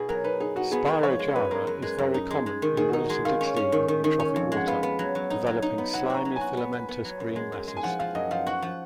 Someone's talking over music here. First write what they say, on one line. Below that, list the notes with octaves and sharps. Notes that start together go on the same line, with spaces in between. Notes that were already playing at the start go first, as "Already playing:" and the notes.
"Spirogyra" is very common in relatively clean eutrophic water, developing slimy filamentous green masses.
Already playing: B2 B3 G#4
F#3 A#4
D#4 B4
D#4 G#4
D#4 F#4
B3 G#4
G#3 A#4
F3 C#5
G#3
F#2 B4
G#3 A#4
F#2
G#3
F#2
D#4
G#3
G#3
D#3
D#3 G#4
F#4
D#4 G#4
G#3
D#3 F5
C#4
C#4
D#3
D#3
D#3
C#4
F2
G#3 F#5
B3 F5
B3
F#3
F#3
D#4
F#3
D#4
B3
F#3 F#5
F#4 A#5
F#3
F#4 G#5
B3
B4
B3
F#3
F#2
G#3
F#2
G#3
G#5
F3 F#5
F3 F5
F#2 D#5
F3 F5
F#4 F#5
F3